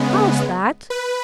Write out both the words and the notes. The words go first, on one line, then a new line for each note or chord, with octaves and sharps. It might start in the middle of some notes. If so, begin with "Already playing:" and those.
"How's that?"
Already playing: C#3 G#3 B3
B4